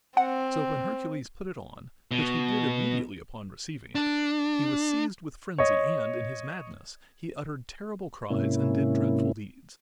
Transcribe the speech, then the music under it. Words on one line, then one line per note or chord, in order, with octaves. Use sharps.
So when Hercules put it on, which he did immediately upon receiving it, he was seized with frenzy and, in his madness, he uttered terrible cries and did dreadful deeds.
C4 F#5
B2
D4
C#5 D#5
G#2 C3 A#3 C#4 E4